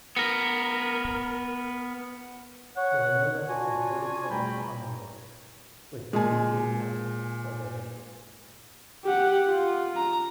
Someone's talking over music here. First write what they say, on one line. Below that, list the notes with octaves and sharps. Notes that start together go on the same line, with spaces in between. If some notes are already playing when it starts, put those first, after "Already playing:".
There were no less than thirty-seven "Commanderies", with fifty-three castles or villages.
B3 A#4
C#5 F#5
D4 F4 F#4 G#5
E2 G3 A3 G5 A#5 B5
A#2 G#3 G#5
G4 F#5
F4
A#5